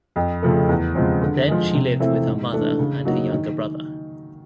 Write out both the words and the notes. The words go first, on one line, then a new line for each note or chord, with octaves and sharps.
Then she lived with her mother and her younger brother.
F2
C#3 F3 A3
E2
C#3 F3 G#3 C4
D3
F3 G#3
C3
E3 A3 C4 E4
G#2
E3 A3 D4
C#3
F#3 A#3 D#4 F#4
D#3